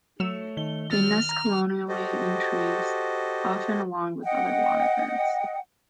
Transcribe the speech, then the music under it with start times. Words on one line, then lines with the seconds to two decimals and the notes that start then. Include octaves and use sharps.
They nest colonially in trees, often along with other waterbirds.
0.20 F#3 A3 C#5 E6 E7
0.57 D#3 G7
0.91 F#3 F6 A6
1.29 A#5
1.89 F#4 G4 A4 C5 D#5
4.24 D#5 F#5 G5